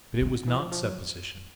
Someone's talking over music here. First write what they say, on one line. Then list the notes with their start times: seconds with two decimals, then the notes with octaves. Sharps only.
But it was not supposition.
0.21 D#3
0.25 D3
0.48 E3
0.56 F3
0.72 F3
0.84 F#3